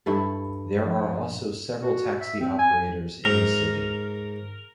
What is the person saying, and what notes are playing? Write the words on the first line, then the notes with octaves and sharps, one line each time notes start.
There are also several taxi operators in the city.
G2 E4 A4
F3
F#4
E5
C4
G#5
G#2 A#4